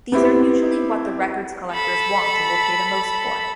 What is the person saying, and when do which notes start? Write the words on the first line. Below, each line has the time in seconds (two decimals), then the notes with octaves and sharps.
These are usually what the records collectors want and will pay the most for.
0.12 B3 C4 E4 G4
1.72 A4 B5